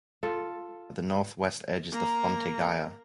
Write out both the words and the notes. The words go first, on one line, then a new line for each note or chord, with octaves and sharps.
At the northwest edge is the Fonte Gaia.
F4 A4
A#3 A#5